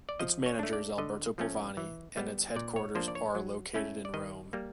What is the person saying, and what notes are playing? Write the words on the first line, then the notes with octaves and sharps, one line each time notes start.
Its manager is Alberto Polvani and its headquarters are located in Rome.
D5
F3 D#5
C#5
A3 D4
D5
D3 D#5
F3 A3 C#4
E3
G3 B3
A#2 D5
C#5
F3 A#3 D4 C5
D5
C#5
F#3
A3 C#4 E4
D5
D#3 D#5
G3 A#3